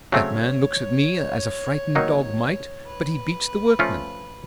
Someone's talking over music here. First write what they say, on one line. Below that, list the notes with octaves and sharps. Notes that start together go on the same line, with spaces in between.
That man looks at me as a frightened dog might, but he beats the workmen.
C#3 F#3 A3 C4 C#5
D#3 F#3 A#3 D#4
B4
F3 A3 C#4 F4